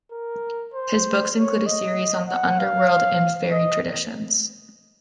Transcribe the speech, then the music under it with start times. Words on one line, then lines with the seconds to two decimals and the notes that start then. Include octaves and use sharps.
His books include a series on the underworld and faery traditions.
0.12 A#4
0.74 C5
1.35 C#5
1.66 D#5
2.28 F#5
2.59 F5
3.51 D#5